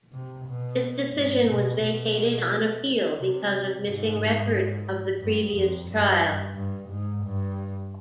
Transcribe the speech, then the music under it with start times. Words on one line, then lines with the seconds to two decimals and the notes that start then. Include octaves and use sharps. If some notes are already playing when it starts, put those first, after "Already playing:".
This decision was vacated on appeal because of missing records of the previous trial.
0.12 C3
0.46 B2
1.14 G#2
1.48 B2
1.82 B2
3.17 C3
3.85 G#2
5.21 G2
5.54 F2
5.88 G2
6.56 G2
6.90 G#2
7.24 G2